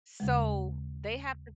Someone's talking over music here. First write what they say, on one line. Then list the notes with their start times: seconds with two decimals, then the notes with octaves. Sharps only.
so, they have to
0.20 D#2 C#3 G#3